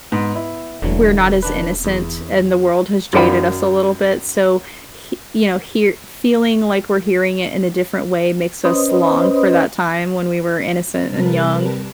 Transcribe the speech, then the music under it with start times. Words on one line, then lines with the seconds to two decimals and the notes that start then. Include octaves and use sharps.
we're not as innocent, and the world has jaded us a little bit? So, he you know, hear feeling like we're hearing it in a different way makes us long for that time when we were innocent and young.
0.12 G#2 B3
0.35 E4
0.82 E1 D3 E3 F#3
1.43 D#3 D4 B4
1.85 E2
3.13 F#2 D#3 D5 F5 B5
8.65 C#4 B4 C5 D#5
11.05 C3 G3 A#4 B4 A5